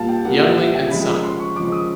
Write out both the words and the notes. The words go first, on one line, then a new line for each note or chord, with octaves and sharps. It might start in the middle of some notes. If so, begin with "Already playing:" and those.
Yuengling and Son.
Already playing: A#2 G3 A#3 F5 A5
G5
A#2 G3 A#3 F#5
E5
E5
G5
C#3 F3 G#3 B5
B5
C6
C#6
C#3 F3 G#3 D6
D#6